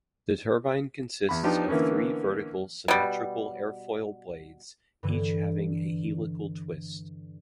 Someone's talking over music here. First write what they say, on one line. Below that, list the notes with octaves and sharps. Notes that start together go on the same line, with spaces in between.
The turbine consists of three vertical symmetrical airfoil blades, each having a helical twist.
E2 B5
F3 B3 D4 D#4 F4 G4
D3 E3 A#3 B3 C#4
B2 G3
G2 D3 E3